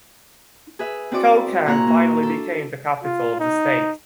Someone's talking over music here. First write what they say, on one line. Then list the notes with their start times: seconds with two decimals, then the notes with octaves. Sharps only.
Kokand finally became the capital of the state.
0.79 G#4 B4 E5
1.11 C4 E4 F#4 D5 D6
1.66 A#2 E4 C#5 A#5 F#6
1.87 A#3
2.23 D4 A4
3.03 F4
3.40 D#4